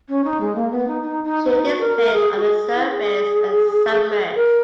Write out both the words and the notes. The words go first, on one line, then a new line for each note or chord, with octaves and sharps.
She displaced on the surface and submerged.
C#4
D#4
G#3
A#3
B3
D#4
D#4
D#4
D#4
F#4
A#4
A#4
G#4
F#4
G#4
E4
G#4
A#4